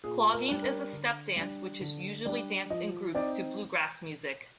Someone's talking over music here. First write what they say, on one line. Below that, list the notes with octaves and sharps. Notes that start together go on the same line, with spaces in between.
Clogging is a step dance which is usually danced in groups to bluegrass music.
A#2 G#4
A#4
G3 D4
A#4
D3
G3 D4
D3
G3 D4 D5
F3 D#5
C4 D#4 D5